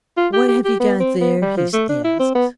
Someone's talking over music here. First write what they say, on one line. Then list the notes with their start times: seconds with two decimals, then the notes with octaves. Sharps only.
"What have you got there?" he asked.
0.17 F4
0.33 G4
0.48 G4
0.64 G4
0.80 B3
1.00 C4
1.21 B3
1.42 G3
1.57 F3
1.73 A3
1.89 D4
2.04 E4
2.19 C4
2.35 B3